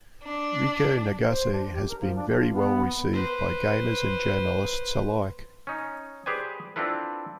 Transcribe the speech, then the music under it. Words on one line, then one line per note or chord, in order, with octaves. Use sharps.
Reiko Nagase has been very well received by gamers and journalists alike.
D4
C5
D4
G4
A#4
F3
D4
F4
B3
B4 C5
C#4 D#4
G4 G#4 B4 C5 D5 G#5
C4 D4 E4 F4 A4 B4